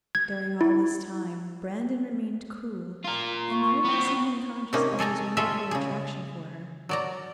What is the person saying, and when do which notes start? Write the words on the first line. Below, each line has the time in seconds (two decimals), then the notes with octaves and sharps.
During all this time Brandon remained cool and really seemed unconscious of his wonderful attraction for her.
0.15 G#6
0.61 E4
3.05 F4 A#4
3.50 C#6
3.84 B3 C4
4.73 C3 A#3 C#4 D#4 G#4
4.99 G#4 A4 G#5 A#5
5.37 F4 G#4 A4 C#5 D#5 E5
5.71 C#3 G#4
6.89 F#3 D5 A#5